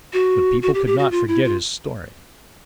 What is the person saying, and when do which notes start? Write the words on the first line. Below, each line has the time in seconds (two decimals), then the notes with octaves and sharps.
But people could not forget his story.
0.13 F#4
0.62 F#4
0.74 G4
0.87 G4
0.99 F#4
1.11 F4
1.28 E4
1.44 F4